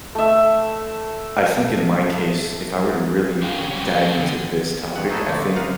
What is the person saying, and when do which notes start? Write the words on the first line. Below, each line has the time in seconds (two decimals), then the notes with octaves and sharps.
I think in my case, if I were to really dive into this topic, I think,
0.15 A3 E5
3.42 D4 F#4 G#4 A#4 F5 G5
3.56 D3 C#4
3.71 G3 G4 C#5
3.87 A#4 B4 D#5
4.01 G4 A4
4.19 D3
4.96 G2 F#5
5.10 A3 D#4 E4 A4
5.29 D3 A3
5.55 C2 D#4 F5 F#5